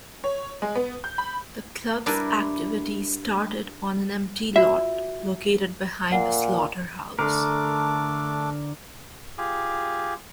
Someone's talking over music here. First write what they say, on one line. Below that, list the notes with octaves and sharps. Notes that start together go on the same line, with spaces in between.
The club's activities started on an empty lot located behind a slaughterhouse.
C#5
G#3
B3
G6
B5
G3 D4 E4 G4 A#4 B4
F4 F#4 D5 E5
A#2 F#5
D3 A3 D4 A#4 D6
F4 G4 G#4